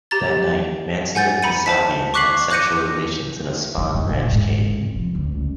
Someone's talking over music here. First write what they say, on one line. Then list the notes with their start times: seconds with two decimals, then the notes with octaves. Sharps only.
That night, Manson and Kasabian had sexual relations in a Spahn Ranch cave.
0.11 G4 A#5 A6
1.15 F#5 G#5 G6 A6
1.43 A#5 B5 C#7 D#7
1.66 C5 A5 B6
2.14 C#6 D6 F#6 B6 C7 F#7
2.50 D6 F#6 G6 A#6 C#7 D#7
3.77 D#3
3.94 G2
4.09 A#2
4.32 G#2
4.79 C3
4.95 F3
5.15 D2
5.34 C#2